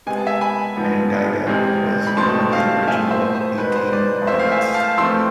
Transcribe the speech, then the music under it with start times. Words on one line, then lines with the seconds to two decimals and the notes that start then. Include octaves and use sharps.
Angida was one of the original Eighteen Arhats.
0.07 C3 G#3 B3 G#5
0.17 A5
0.27 E5 G#5
0.41 G#5 B5
0.76 G#2 F3 B3
1.47 E2 C3 G#3 C4
2.07 B5
2.17 E2 B2 A3 C4 A5 C6
2.52 F5 A5
2.83 F5
2.87 A2 F3 A3 C4 E5 G#5
3.11 C5 E5
3.35 C5
3.57 E2 B2 G#3 B3 B4
3.76 C5
3.93 B4 D5
4.27 F2 E3 A3 C4 C5 E5
4.39 F5
4.52 E5 G#5
4.74 F5 A5
4.98 F2 E3 A3 C4 C6 E6